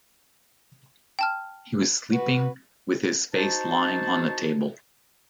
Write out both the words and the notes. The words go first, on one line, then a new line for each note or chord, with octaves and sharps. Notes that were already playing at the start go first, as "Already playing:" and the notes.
He was sleeping with his face lying on the table.
G5 A5 F6
F#4 B4
D#4 F#4 C5 A5